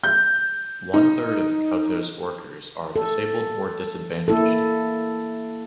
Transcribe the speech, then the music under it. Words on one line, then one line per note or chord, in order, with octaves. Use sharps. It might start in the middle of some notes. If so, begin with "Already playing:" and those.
One-third of Cauto's workers are disabled or disadvantaged.
G6
D#4
A4
A#3 E4 A4